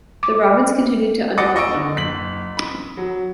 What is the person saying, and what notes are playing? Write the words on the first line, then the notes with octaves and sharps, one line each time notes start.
The Robins continued to underperform.
D6
D#5 F#5 D6 D#6 A6 C#7
D#5 C#6 E6 D7
D3
F#1 B6 F#7
B5
F#3